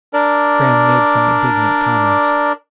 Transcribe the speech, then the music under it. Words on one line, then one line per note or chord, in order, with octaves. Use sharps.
Graham made some indignant comments.
D4 A#4 D5